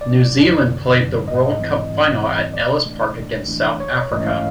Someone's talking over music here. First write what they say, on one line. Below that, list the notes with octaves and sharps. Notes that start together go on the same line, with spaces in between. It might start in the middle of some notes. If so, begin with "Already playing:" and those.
New Zealand played the World Cup final at Ellis Park against South Africa.
G1 D5
F#2 D3
G1
F#2 D3
G#2 D#5
E3 G3 C4
G#2
E3 G3 C4
A1 D5
A2 E3 A3 D4
A1
A2 E3 A3 D4
A#1 C#5
G#2 E3 A3 C#4 D#5
F5